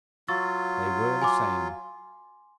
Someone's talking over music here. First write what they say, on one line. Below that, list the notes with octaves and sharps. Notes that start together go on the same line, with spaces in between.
They were the same.
F#3 F4 C#6 E6 A6
G#5 C6 D6